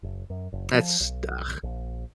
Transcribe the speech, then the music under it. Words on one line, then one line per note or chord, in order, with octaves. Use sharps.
That's ugh.
F#1
F#2
F#1
F3
B1
A#1